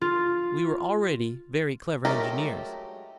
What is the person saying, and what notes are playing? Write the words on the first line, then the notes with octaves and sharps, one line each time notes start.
We were already very clever engineers.
F4
F#3 G#3 A3 G4 A#4